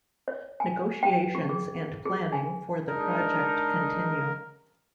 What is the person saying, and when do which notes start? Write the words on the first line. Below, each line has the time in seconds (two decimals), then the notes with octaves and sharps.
Negotiations and planning for the project continue.
0.28 C#5
0.60 G#5
1.03 G5
1.35 G4
1.49 G#4
2.05 G#4
2.33 G#5
2.88 G#3 D4 D#4 A#4